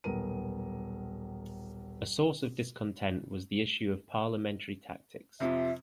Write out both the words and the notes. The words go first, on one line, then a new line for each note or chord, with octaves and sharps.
A source of discontent was the issue of parliamentary tactics.
D#1 B1 A#4 B4 D#7
F2 C3 F3 E5